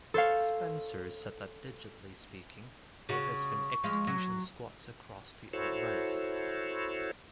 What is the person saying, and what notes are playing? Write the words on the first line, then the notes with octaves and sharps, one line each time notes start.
Spencer said that digitally speaking, there has been execution squads across the alt-right.
A4 C5 C#5 F5
C#3 F#4 C#6
F3 G#3 F5
F#3
E4 F#4 A4 C5 C#5